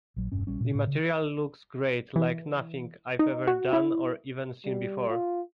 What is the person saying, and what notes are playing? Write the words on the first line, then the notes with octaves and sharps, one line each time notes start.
The material looks great, like nothing I've ever done or even seen before.
A#1 F#3
E1 G2 C#4
A#1 G3 C#4
A#2 C#3
A2
C#3
E3
D#4
F#4
E4
G3
F4